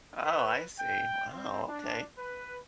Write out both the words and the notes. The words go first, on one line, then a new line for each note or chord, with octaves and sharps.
Oh, I see. Wow, okay.
B4
G5
C4
D4
B4